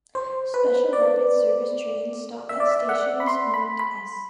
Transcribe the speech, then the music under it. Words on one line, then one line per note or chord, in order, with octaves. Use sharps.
Special Rapid Service trains stop at stations marked "S".
C5
B4
D5
E5
D5
E5
F#5
B5
C6
B5
B5